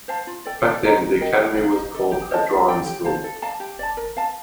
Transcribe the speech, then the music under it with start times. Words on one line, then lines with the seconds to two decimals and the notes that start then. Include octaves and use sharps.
Back then the academy was called a Drawing School.
0.08 C5 F5 A5
0.27 F4
0.45 A4 D5 G5
0.65 A4
0.83 C5 D#5 A#5
1.02 D#4
1.20 A#4 D#5 G5
1.38 G4
1.57 D5
1.61 F5
1.75 D#4
1.94 A4 D#5
2.12 G4
2.31 C5 D#5 A5
2.50 F4
2.69 A4 D5 G5
2.86 G4
3.04 C5 F5 A5
3.24 A4
3.42 D5 F5 A5
3.60 G4
3.79 D5 A5
3.97 A#4
4.17 F5 A5